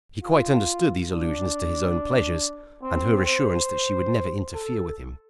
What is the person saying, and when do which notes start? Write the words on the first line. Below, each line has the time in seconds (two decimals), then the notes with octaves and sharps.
He quite understood those allusions to his own pleasures and her assurance that she would never interfere with him.
0.23 F4
1.09 D4
2.83 C4
3.25 C5
4.55 A4